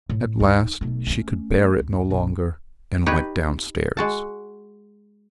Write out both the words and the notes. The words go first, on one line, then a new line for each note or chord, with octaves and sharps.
At last she could bear it no longer, and went downstairs.
A2
D2 D#4
B1 A3
A3 C#4
D2
A#1
D#4 G4 B4 C#5
G#3 F#4 A5